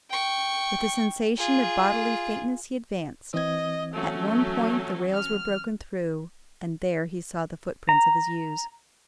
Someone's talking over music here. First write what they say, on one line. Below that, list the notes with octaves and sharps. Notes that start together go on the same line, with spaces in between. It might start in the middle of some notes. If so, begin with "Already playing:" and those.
With a sensation of bodily faintness he advanced: at one point the rails were broken through, and there he saw the footprints of his ewes.
G5 C#6
F4 G#4
E3 C4 D#5 G#6
F#3 A3 C#4
F6
A#5